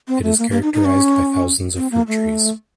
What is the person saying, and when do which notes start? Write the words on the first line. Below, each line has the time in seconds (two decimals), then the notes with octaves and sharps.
It is characterised by thousands of fruit-trees.
0.08 C4
0.23 A3
0.39 A#3
0.51 A#3
0.62 D#4
0.74 D#4
0.85 C#4
1.77 C4
1.92 A#3
2.07 A3